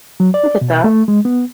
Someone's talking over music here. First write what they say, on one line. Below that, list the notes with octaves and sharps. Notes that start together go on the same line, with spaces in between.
I get that.
F#3
D5
B2
A3
G#3
B3